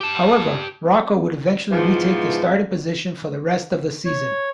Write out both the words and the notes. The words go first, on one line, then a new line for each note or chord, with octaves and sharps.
However, Rocco would eventually retake the starting position for the rest of the season.
G4 A5
G#2 B2 E3 F3
C#5